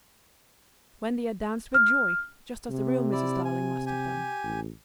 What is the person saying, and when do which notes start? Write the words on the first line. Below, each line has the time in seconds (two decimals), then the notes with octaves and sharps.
Wendy had danced with joy, just as the real Mrs. Darling must have done.
1.74 F6
2.70 C3
3.12 E4 D5
3.45 G#5
3.86 G4 G#5
4.43 A1